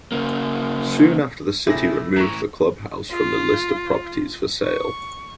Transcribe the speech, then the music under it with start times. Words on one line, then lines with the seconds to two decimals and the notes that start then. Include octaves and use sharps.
Soon after the city removed the clubhouse from the list of properties for sale.
0.12 C#3 A#3
1.67 C3 A3 E4 G#4 A#6
2.16 A2 E3 A#5 C#6
3.11 F4
4.61 C#6